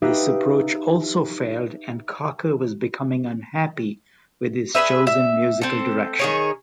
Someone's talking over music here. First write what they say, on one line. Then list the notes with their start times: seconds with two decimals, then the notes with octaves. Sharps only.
This approach also failed and Cocker was becoming unhappy with his chosen musical direction.
0.02 D#4 G4 B4 E5 F5
4.75 G#4 A#4 B4 E5
5.07 E5
5.61 C4 A4
6.19 D#3 G#4 C#5